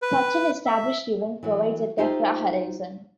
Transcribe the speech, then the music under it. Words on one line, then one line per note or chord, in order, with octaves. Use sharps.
Such an established event provides a "tephra horizon".
B4
E5
E3 F#3
D#4 F4 G4 C5 E5